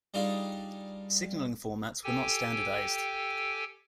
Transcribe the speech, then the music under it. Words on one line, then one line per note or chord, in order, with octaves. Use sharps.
Signaling formats were not standardized.
G3 D4 D#4 F4 G#4
G4 A4 G5 G#5